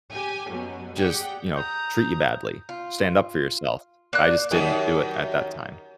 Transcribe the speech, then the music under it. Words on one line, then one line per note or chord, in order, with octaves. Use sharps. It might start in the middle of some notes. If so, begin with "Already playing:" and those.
just, you know, treat you badly. Stand up for yourself. I just didn't do it at that time.
G4 G#5
F#2 B2 F#3
G4 G#4 D5 F#5 G5
A#5 D#6 G6
F4
A#3 D4 F#6
F#2 D#3 G4